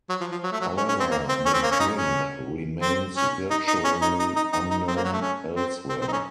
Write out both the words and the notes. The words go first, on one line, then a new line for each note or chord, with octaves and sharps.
However, the drink remains virtually unknown elsewhere.
F#3
F3
F3
F#3
A3
F#3
C#4
C#4
C4
A#3
C4
C#4
C4
A#3
C#4
D#4
C#4
C4
C#4
D#4
D#4
C#4
D#4
D#4
D#4
D#4
D#4
C4
A#3
F#3
A3
C#4
C4
C4
C4
D#4
C#4